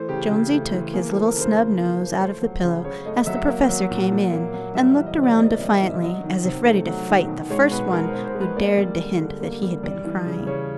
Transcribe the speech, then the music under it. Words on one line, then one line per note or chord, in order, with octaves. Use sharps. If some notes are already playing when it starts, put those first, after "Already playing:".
Jonesy took his little snub nose out of the pillow as the professor came in, and looked around defiantly as if ready to fight the first one who dared to hint that he had been crying.
Already playing: E3 A3 C5
C#3 G4
C#3
A3
E3
A#3 G#4
A4
F3
A#4
C#3
C5
C#3
A#3
F3
C#5
A3 C5
F#3
C#3
C#3 C#5
A3 D#5
F#3 E5
A#3
F#3
A#2
A#2
A#3
F#3
G3 E5
E5
E3
D#5
C3
D5
A#3 D#5
E5
G3 D#5
E5
E3 D#5
F#3 D#5
D#3
C3
A3
F#3
D#3
B2
G#3 C#5
B2 B4
G#3 A#4
C5
B2
C5
G#3
B4
A#3 D5
G3
D3
D3
A#3
G3
G3 D5
E3
C#3
C#3 C#5